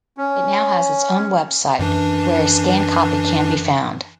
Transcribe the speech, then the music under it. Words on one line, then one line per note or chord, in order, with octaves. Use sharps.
It now has its own website, where a scanned copy can be found.
C#4
F#2 E3 D4